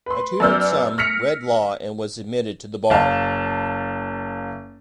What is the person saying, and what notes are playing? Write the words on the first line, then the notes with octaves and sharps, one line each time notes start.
I tutored some, read law, and was admitted to the bar.
B4 C6
F#2 B3 D5 E6 F6 G6
F6 A#6 B6 C#7 F7
F#1 F5 A5